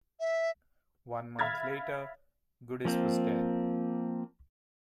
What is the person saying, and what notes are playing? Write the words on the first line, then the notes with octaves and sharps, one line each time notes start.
One month later, Goodis was dead.
E5
E5 F5 B5 F6 G#6 A6
F3 A#3 C4